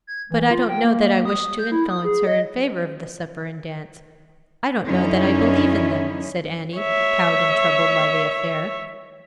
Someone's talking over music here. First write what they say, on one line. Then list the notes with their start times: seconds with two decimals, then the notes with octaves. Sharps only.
"But I don't know that I wish to influence her in favour of the supper and dance; I don't know that I believe in them," said Annie, cowed and troubled by the affair.
0.07 G#6
0.31 E3
0.51 F4
0.69 G5
0.85 A#3
1.26 D#6
1.59 G6
1.72 E4
1.89 D#6
2.05 G#4
2.27 D#5
4.86 F#2 D3 C#4 D#4 E4
6.79 C#5 E5